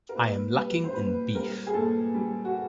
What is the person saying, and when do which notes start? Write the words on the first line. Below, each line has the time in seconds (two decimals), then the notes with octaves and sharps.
I am lacking in beef.
0.09 A#4
0.15 A#2 B4
0.55 G3 B4
0.84 C5
0.94 A#2 B4
1.35 G3 A#4
1.67 G#4
1.74 A#2 A4
2.14 G3
2.45 F#4